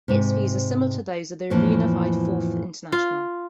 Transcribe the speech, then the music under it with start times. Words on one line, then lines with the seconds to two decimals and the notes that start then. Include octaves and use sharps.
Its views are similar to those of the reunified Fourth International.
0.08 G#2 C3
1.50 F2 A2 E3 F3 A#3 D4
2.92 F4